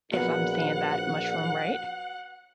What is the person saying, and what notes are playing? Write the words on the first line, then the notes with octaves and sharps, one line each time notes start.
if I'm saying that mushroom right,
A#1 F#3 B3 B4 F#5